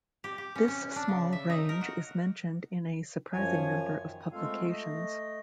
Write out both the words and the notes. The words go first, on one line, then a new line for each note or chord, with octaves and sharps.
This small range is mentioned in a surprising number of publications.
G4
G4
C#4
C#4
D4
C#3
E5
D#4
A#4
F#4
F#2 F3 C#5 G#5
D#3
G#3 A3 C4 F4 A4 F5
A3 D#5